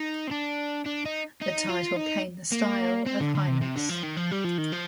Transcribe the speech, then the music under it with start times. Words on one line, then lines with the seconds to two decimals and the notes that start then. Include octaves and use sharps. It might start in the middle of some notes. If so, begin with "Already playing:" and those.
The title came the style of Highness.
Already playing: D#4
0.27 C4
0.31 D4
0.86 D4
1.05 D#4
1.41 D#4
1.69 F4
1.97 D#4
2.52 A#3
3.06 C4
3.20 D3
3.35 D3
3.48 C3
3.62 C3
3.76 D3
3.89 F3
4.03 D#3
4.17 F3
4.31 G3
4.44 F3
4.58 D#3
4.72 F3